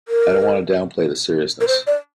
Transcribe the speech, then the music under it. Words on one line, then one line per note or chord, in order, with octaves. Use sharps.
I don't want to downplay the seriousness.
A#4
A#4
C5
D5